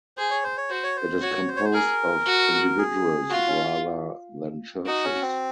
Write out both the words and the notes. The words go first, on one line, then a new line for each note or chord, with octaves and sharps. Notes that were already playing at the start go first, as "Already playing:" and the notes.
It is composed of individuals rather than churches.
G#4 C5
C#5
C5
C#5
F#4 C5
C#5
C5
F#4 C#5
C5
C#5
C5
G#4 A#4
F#4
G#4
F4 F#4
C#4
D#4 F#4
C#4
C4